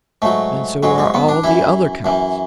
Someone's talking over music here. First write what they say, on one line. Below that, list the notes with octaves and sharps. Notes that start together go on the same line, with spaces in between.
And so are all the other cows.
G#2 F#3 A3
G#2 F#3 G#3
G#3
B3
D4
F#2 E3 E4
F#2 E3